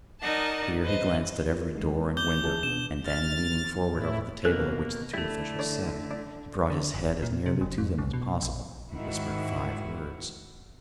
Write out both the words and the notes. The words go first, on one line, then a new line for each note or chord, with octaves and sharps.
Here he glanced at every door and window; and then, leaning forward over the table at which the two officials sat, he brought his head as nearly to them as possible and whispered five words.
D#4 A#4 D5 D#5 F#5 A5
B4 C5 D#5
F3 A#4
C#2 G#3 D#4
D6 G6 G7
E3 G#4 A5
B2 B3 D4 E7
F6 A6
A2 E4
B2 A#3 C#4 A4 A#4 F#6
D3 G3 A3 E4
D4 C#5
D4
D3
F#1
A#2
C3
F#1
F2
C2
B2
A#1
G#2 D#3 E4 F#4